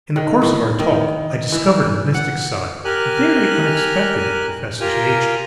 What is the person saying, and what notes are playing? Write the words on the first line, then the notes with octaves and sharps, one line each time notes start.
In the course of our talks I discovered a mystic side, very unexpected, in the professor's nature.
D#3
A2
D#3
E3
F#5
G4 A#4 G#5 F6 F#6
F4 G4 A#4 G5 G#5 A#5